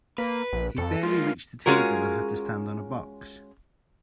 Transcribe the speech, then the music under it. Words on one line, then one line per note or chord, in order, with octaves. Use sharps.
He barely reached the table and had to stand on a box.
A#3 B4
A#1
F2 A4
G#2 A#3 F4
G#3 C#4 F4 F#4 G#4 A#4